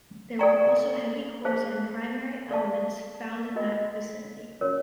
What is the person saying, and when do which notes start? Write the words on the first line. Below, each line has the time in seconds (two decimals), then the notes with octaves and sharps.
There were also heavy cores and primary elements found in that vicinity.
0.39 A4 D5 G5 A#5 C#6
1.45 G#4 C5 F5 A5
2.51 A4 D5 F5 A5 C#6
3.55 F#4 A#4 D#5 G5 B5
4.61 C#4 F#4 A#4 C#5